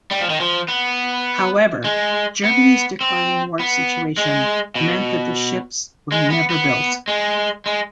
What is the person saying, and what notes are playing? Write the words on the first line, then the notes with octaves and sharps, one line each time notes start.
However, Germany's declining war situation meant that the ships were never built.
G3
F3
D#3
F3
B3
G#3
B3
C4
B3
G#3
B2
G#3
B3
B3
G#3
G#3